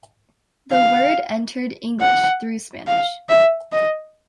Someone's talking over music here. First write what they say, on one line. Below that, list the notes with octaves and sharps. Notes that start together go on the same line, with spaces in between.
The word entered English through Spanish.
F5
F#5
F5
E5
D#5